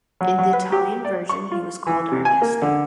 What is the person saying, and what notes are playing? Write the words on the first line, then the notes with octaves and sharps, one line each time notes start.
In the Italian version he was called Ernesto.
F#3
F#3
B4
G4
D5
C#6
F4
E3
C3
G#5
A#3
D3